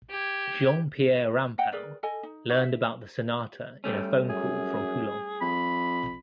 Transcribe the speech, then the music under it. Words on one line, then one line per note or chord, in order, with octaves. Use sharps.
Jean-Pierre Rampal learned about the sonata in a phone call from Poulenc.
G4 G#6
D#5 F#5 G5
G#4 A#4 B4 D5
A4 D#5 G#5
D#4
D#4 F#4 C5 F#5
E5
G3 A3 C#4
F#2 G#4
F2 B5